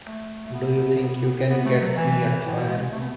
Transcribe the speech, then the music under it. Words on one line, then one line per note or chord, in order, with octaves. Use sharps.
Do you think you can get me a trial?
A3
A3
B3
B3
A3
F#3
E3
A2
B2
G#3
A3
B3